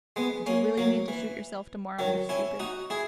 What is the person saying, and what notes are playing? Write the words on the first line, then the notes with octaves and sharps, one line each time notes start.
Did you really mean to shoot yourself to-morrow, you stupid?
G#3 B3
A#3 C#4
F#3 A#3
E3
D#3 F#3
C#4 E4
D#4 F#4
E4 G#4